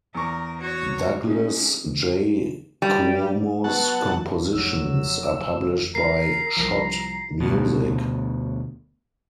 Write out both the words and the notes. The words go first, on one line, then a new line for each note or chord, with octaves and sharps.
Douglas J. Cuomo's compositions are published by Schott Music.
E2 A#4 C#6
F#4 C#5
G#3 C#4 D#4
G3
F#3 B3 F#5 A5
F1 F#3 E6
A#4 A#5 C7
C2 F3
D2 B2